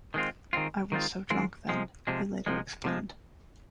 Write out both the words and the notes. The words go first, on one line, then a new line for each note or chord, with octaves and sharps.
"I was so drunk then," he later explained.
D#3 G#3 C4 F4
D#3 G#3 C4 F4
D#3 G#3 C4 F4
D#3 G#3 C4 F4
C3 F3 G#3
C3 F3 G#3
C3 F3 G#3
C3 F3 G#3